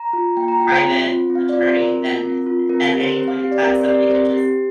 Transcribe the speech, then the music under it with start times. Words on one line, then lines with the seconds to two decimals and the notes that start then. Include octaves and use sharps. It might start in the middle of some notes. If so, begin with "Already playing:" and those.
a private attorney, then a a at any point in time, somebody could just
Already playing: A#5
0.13 F4
0.37 A#3 G5
0.48 A#5
0.60 F4 G5
0.72 C5
0.83 C4
1.07 F4
1.30 C4
1.35 F5
1.49 F4 D5
1.63 C5
1.76 C4 A#4
2.00 F4
2.23 C4
2.46 F4
2.69 C4 A#4
2.85 A#4
2.93 G4
3.01 C5
3.16 C4 C5
3.28 F5
3.40 G4
3.52 D5
3.63 C4 A#4
3.74 C5
3.86 G4 D5
3.98 A#4
4.10 C4 C5
4.33 G4